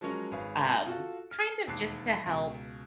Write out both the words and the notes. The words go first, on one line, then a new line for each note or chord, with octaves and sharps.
Um, kind of just to help
F3 F#3 G#3 C#4 A#4 C#5
G#1 G#4 B4 C#5 F5
F4 F#4 A4
F6
E1 D#2 A5 D6 F#6 C7
C#2 B2